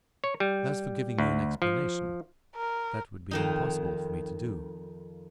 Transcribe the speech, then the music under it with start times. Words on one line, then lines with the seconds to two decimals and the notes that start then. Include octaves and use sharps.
But as for giving you an explanation, that would be impossible for me to do.
0.24 C#5
0.40 G3
1.18 D2
1.62 F3
2.56 A#4
3.31 F2 D#3 D#4